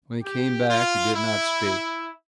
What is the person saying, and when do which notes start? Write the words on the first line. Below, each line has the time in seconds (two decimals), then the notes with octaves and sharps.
When he came back, he did not speak.
0.23 G4
0.68 F4
1.13 E4